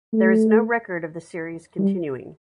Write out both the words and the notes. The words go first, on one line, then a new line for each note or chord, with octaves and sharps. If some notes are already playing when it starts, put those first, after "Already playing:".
There is no record of the series continuing.
A3
G3